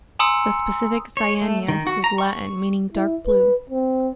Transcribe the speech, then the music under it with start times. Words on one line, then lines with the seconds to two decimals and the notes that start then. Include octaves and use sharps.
The specific "cyaneus" is Latin, meaning "dark-blue".
0.19 G#5 A#5 C6 D#6 E6 C#7
1.17 C#5
1.42 A3
1.68 D#3
1.87 F#4
2.04 A#5
2.18 C#6
2.94 E4
3.27 B4
3.70 C4